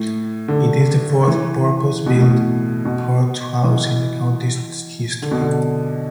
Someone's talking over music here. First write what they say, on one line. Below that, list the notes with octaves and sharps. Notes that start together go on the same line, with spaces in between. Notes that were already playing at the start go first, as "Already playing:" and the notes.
It is the fourth purpose-built court house in the county's history.
Already playing: A2
D3
E3
B2
A2
B2
B2
E3
D3
B2
D3